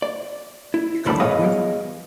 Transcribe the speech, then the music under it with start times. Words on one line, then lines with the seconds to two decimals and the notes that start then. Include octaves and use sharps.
you come up with?
0.02 D5
0.74 E4
1.05 D2 G2 A3 D4 A4 B5
1.20 B3 G#4 C#5 D#5 F5